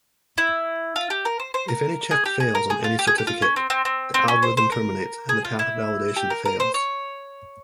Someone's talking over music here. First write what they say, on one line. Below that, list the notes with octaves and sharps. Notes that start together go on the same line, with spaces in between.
If any check fails on any certificate, the algorithm terminates and path validation fails.
E4
F4
G4
A#4
C5
C5
A#4
G#4
G4
G#4
A#4
G#4
F4
G4
G#4
G4
F4
C#4
C4
C4
C4
C4
C#4
C5
C5
A#4
G#4
F4
E4
G4
A#4
A#4
C5
C#5